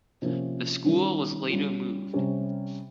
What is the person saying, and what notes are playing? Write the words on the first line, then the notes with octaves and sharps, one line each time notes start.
The school was later moved.
C3 F3 A#3 C#4
D#3 G3 C#4
G3 C#4 F4
C3 G3 C#4 G4